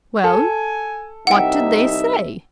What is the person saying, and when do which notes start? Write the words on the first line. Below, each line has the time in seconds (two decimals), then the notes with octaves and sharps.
"Well, what did they say?"
0.24 A4 G#5
1.27 C2 D#4 E5 F#5 G5